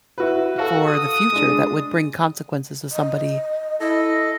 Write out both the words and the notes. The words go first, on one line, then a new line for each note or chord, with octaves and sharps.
for the future that would bring consequences to somebody?
E4 F#4 B4
F#4 A4 F5
D#6
G#3 D4
D#5
E4 A4 D#5